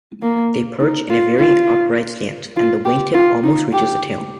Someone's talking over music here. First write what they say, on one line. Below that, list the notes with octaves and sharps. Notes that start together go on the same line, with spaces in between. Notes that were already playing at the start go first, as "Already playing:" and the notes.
They perch in a very upright stance and the wingtip almost reaches the tail.
A#3
D#4
F4
F4
F4
G4
F4
D#4
G4